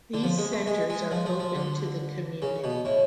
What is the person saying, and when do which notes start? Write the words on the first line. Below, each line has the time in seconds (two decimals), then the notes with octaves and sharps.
These centers are open to the community.
0.14 D3
0.23 F3
0.38 G#3
0.53 A3
0.67 G#3
0.90 G#3
1.11 F3
1.26 F3
1.40 F3
1.55 D3
2.42 C#3
2.64 B2
2.85 A2